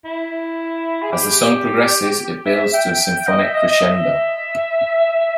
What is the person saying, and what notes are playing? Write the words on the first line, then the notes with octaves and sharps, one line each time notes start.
As the song progresses, it builds to a symphonic crescendo.
E4
G#4
G4
E5
G5
D#5
E5
D#5
D#5
E5